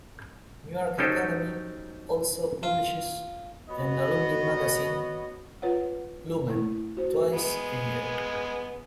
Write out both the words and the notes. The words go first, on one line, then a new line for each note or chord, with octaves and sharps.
Newark Academy also publishes an alumni magazine, "Lumen", twice a year.
F#3 C#4 D#4 G4 A4 C5
F4
B3 F#4 C#5 D#5
F4 B4 C#5 F#5
A3 E4
F#4 C5
G#3 B3